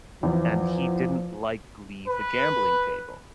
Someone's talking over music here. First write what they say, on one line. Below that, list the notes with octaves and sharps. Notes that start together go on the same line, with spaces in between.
And he didn't like to leave the gambling table.
E2 F3
B4